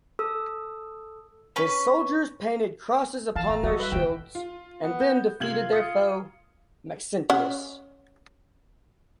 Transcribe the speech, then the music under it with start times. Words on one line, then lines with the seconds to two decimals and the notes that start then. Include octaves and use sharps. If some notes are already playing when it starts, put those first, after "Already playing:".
His soldiers painted crosses upon their shields, and then defeated their foe, Maxentius.
0.19 A4 E6
1.56 C#4 B4
3.36 E3 F5 A5
3.49 A1 A#5
3.63 G3 A3 F#4 A4 D#5
3.80 B4 E5
3.92 E2 D#3 G5
4.35 F4
4.83 B3
5.00 G6
5.40 C3 F4 G#6 F#7
5.72 D#6 C#7
7.30 C#4 F#5